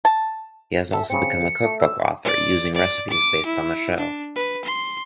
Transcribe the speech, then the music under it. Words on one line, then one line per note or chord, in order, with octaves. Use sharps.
He has also become a cookbook author, using recipes based on the show.
A5
A4 E5
C#3 C4 C#7
A3
E6
D5
D5
D6
E4
D4
B4
C6